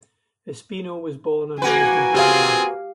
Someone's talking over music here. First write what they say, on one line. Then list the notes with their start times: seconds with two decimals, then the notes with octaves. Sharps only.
Espino was born and raised in Panama.
1.62 A#3 F#4 B4 G#5
2.15 C4 F4 G4 G#4 F5